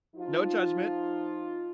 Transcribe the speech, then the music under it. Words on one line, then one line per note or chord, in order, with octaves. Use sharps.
No judgment.
F3 D#4 F4